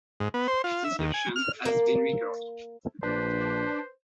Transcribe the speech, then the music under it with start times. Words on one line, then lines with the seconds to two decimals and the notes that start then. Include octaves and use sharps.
This version has been recorded.
0.20 G#2
0.34 B3
0.48 C5
0.64 F4
0.84 E5
0.99 D#2
1.14 G#5
1.36 F6
1.65 A#3
3.03 A#1 D4 B4 C5